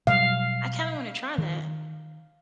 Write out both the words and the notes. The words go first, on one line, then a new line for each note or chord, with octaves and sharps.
I kinda wanna try that.
B2 F#3 G3 F5
D#3